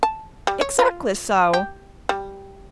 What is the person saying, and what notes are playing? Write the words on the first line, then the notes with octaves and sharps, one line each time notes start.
'Exactly so.
A5
G3
C#5
F4
G4
G3